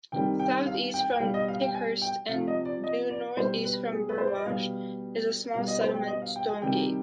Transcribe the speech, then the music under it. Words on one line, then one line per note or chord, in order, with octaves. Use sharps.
South-east from Ticehurst and due north-east from Burwash, is a small settlement, Stonegate.
C3 D#3 G3 G5
G5
F5
G5
G5
B2 G3 F5
D#5
F5
G5
G#5
G5
C3 F3 F5
D#5
D5
D#5
D5
B2 G3 C5
B4
G#4
B4
C5
D5
D#5
B2 G3 F5
B2 G3 F5
D#5
C5
G5
D#5
F5
G5
G#5
C3 D#3 G3 G5